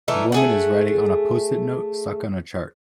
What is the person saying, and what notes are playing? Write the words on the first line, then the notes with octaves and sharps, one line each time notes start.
A woman is writing on a postit note stuck on a chart.
E3 A3 D#4 F4
A3 G#4 F#5